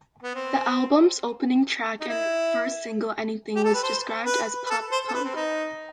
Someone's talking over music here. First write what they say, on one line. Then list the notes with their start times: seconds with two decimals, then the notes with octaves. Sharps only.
The album's opening track and first single, "Anything", was described as pop punk.
0.23 B3
0.35 C4
2.00 D#4
2.08 E4
3.56 G4
3.64 A4
3.74 B4
3.83 C5
4.26 B4
4.66 B4
4.70 A4
4.92 C5
5.08 A4
5.14 B4
5.25 C4
5.35 D#4